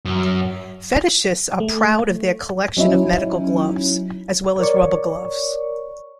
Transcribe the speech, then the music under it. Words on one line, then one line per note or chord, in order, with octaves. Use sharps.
Fetishists are proud of their collection of medical gloves, as well as rubber gloves.
F#2
A3
F#3 C#4 D#4 E4
A#4 C#5 D5 C#6